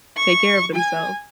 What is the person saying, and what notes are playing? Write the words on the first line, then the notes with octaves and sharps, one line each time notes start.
take care of themselves.
C#6
G#5